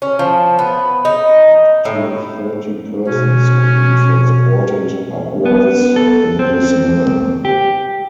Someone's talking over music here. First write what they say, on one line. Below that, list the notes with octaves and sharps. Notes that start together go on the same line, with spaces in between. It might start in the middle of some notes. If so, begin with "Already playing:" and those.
Up to thirty persons could be transported upwards in this manner.
C#4
F3
B3
D#4
A2
B2 C#4
B3
A4
C4
G4